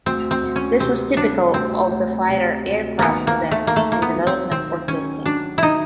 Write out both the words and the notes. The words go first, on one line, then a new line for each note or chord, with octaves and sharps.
This was typical of the fighter aircraft then in development or testing.
D2 C4
C4
D2
C#4
C3 C4
G3 D4
D2 C4
D2
C3
D2
D#3 A#3 B3
A#3
D#4
A3
A#3
A3 D#4
A#3
B3
F#3
C4
D#3 C4
D#3 C#4
F#3 D4
D#3 D#4 E4